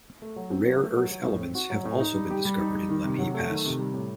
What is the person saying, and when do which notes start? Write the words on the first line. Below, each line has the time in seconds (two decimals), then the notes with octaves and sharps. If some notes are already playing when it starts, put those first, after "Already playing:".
Rare earth elements have also been discovered in Lemhi Pass.
0.22 A3
0.36 F#3
0.51 C4
0.66 F#3
0.81 A3
0.96 F#3
1.11 F#3
1.25 A2
1.41 C4
1.55 F#4
1.70 F#3
1.85 A2
2.00 D#4
2.15 G3
2.30 G4
2.45 G3
2.59 D#4
2.75 G3
2.89 D#3
3.04 C3
3.19 F#3
3.34 A3
3.49 D#3
3.65 C3
3.79 G3
3.94 A2